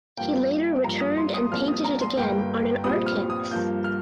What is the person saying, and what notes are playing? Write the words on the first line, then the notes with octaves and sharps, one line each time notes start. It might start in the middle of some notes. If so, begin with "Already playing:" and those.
He later returned and painted it again on an art canvas.
G2 F3 A#3 G5
G2 F3 A#3 A#5
D#6
C6
D#6
C2 A#2 F3 A#3 F6
D#6
A#5
C6
G1 G2 G3 A#3 G5
A#1 A#2 G3 C4 D#6
F6
D#6
G2 F3 A#3 G6
F6